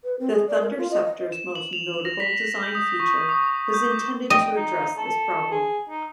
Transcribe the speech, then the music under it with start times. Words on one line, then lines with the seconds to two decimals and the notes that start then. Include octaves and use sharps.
The Thunderceptor's most notable design feature was intended to address this problem.
0.04 B4
0.19 C4
0.31 G#4
0.48 D5
0.62 A#4
0.78 F4
0.91 D#5
1.06 D#5
1.32 E7
1.55 F#7
1.73 F7
2.05 A#6
2.20 B6
2.63 G6
2.75 D#6
3.00 C#6
3.29 D#6
3.74 G6
3.91 D6
4.30 D#5 G5
4.57 D#4
4.97 A4
5.51 G#4
5.90 D#4